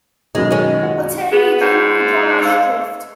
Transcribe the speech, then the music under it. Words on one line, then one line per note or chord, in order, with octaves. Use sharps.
Attorney General John Ashcroft.
F#2 B2 D#3 G#3
G#3 C#4
F#4
B3 G#4
G#2 C#5 F#5 G5
D#5 F5 E6